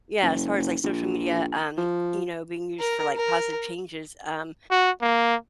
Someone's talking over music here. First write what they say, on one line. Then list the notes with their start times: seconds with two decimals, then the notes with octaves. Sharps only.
Yeah, as far as, like, social media, um, you know, being used for, like, positive changes, um,
0.22 F#1
0.57 F#1
0.84 A#1
1.77 F3
2.79 A#4
3.17 A#4
4.71 F#4
5.02 A#3